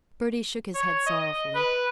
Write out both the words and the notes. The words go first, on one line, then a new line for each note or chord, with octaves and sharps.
Bertie shook his head sorrowfully.
C#5
D#5
B4